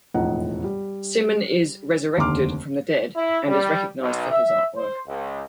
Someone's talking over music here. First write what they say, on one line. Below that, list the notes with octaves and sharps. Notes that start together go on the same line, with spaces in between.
Simen is "resurrected" from the dead and is recognized for his artwork.
E1 F2 A2 D#4 D#5 F#5
G3
F1 D#2 D3 C6 D6 F6
E4
G3
B1
E5
C5
C#2